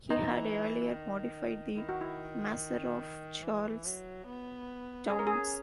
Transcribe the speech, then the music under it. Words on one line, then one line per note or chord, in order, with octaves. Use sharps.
He had earlier modified the maser of Charles Townes.
E3 D#4
D#3
D#3 E4
F#4
E4
E3
F#3
B3
C#4 G#4
A#4
G#4